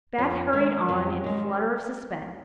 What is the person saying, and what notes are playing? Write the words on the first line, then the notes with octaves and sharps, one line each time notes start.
Beth hurried on in a flutter of suspense.
F2 C#4
D#3 G#3
F2 C#4
D#3 G#3